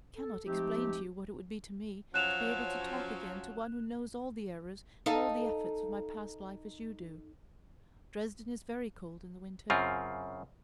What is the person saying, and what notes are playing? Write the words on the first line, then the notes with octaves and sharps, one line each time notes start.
I cannot explain to you what it would be to me to be able to talk again to one who knows all the errors and all the efforts of my past life as you do. Dresden is very cold in the winter.
A4
F3 G#3 A3 C4 D#4 G4
F3 F#3 C#4 F#6 E7 F7
D#4 A4 F5
F#2 C#3 C4 F4